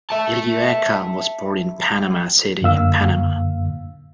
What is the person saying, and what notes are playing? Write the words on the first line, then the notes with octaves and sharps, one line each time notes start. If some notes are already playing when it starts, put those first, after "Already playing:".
Illueca was born in Panama City, Panama.
E5 A5
F#2 D3 A#3 F5 E6